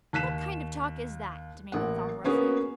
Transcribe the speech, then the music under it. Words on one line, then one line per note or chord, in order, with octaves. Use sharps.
"What kind of talk is that?" demanded Thong roughly.
D#2 F#6 B6 E7
A1 A#3 F#5
A#3 B3 C#4 F#4 G#4